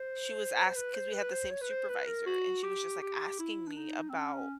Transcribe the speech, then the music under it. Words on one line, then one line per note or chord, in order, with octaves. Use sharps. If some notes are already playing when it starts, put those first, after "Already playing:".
she was ask 'cause we had the same supervisor and she was just like asking me about,
Already playing: C5
C5
B4
C5
B4
C5
C#5
B4
C5
B4
A#4
F#4
G4
G4
E4
D4
D#4
C4
C#4